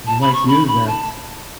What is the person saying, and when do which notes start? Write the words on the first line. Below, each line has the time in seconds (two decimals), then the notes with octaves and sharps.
You might use that.
0.07 A5
0.21 B5
0.33 C#6
0.47 B5
0.67 B5
0.87 A5